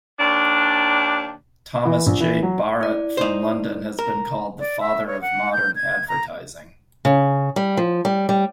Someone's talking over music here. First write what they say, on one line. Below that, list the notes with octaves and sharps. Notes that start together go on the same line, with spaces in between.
Thomas J. Barratt from London has been called "the father of modern advertising".
D#2 D4
E3
A#1
E3
F#3
E4 D5
D#4 C5
A#4 A#5
D5
E5
C#5
F#5
G6
G#6
A#5
C#3
G3
F3
G3
G3